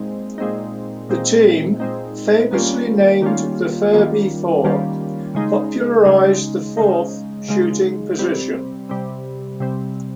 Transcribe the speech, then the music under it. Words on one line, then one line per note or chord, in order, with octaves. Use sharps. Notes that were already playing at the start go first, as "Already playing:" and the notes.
The team, famously named The Ferbey Four, popularized the "fourth" shooting position.
Already playing: A#2 G#3 C4 D#4
A#2 G#3 C4 D#4
A#2 G#3 C4 D#4
A#2 G#3 C4 D#4
D#3 G3 A#3 C#4 F4
D#3 G3 A#3 C#4 F4
D#3 G3 A#3 C#4 F4
D#3 G3 A#3 C#4 F4
C#3 G#3 D#4
C#3 G#3 D#4
C#3 G#3 D#4
C#3 G#3 D#4
C3 G3 C4
C3 G3 C4
C3 G3 C4